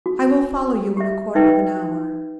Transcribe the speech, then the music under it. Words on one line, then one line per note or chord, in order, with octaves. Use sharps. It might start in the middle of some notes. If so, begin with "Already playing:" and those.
I will follow you in a quarter of an hour.
F#4
G4 E5
D#4 B4 E5 G5